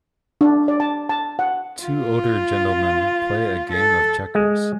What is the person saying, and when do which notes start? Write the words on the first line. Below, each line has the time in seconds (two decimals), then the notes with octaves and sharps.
Two older gentlemen play a game of checkers.
0.41 D4
0.68 D5
0.80 A5
1.09 A5
1.39 F#5
1.83 F4
3.73 A4
4.35 G#3